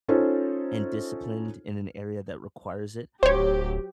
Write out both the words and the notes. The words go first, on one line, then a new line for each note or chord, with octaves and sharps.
and disciplined in an area that requires it.
C#4 D#4 F4 A4 C5
D1 F#3 G4 C5 C#5